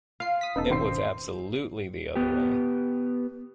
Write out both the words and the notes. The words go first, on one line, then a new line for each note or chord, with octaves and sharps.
It was absolutely the other way.
F4 F5 C7
D#6 B6
E1 B3 C#4 D#4 A4
D#3 C4 C5 C7
B3 G4